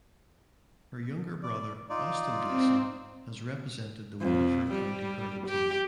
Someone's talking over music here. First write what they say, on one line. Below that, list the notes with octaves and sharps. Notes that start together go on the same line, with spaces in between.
Her younger brother Austin Gleeson has represented the Waterford county hurling team.
D5
D#4 F4 D5
C4
F2
G3
G4